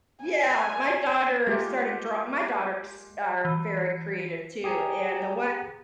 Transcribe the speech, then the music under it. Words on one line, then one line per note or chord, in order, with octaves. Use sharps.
Yeah, my daughter started draw my daughters are very creative too, and the one
G#5
G#3 A#3 F4 G4
E3
G4 G#4 G#5 A#5 C#7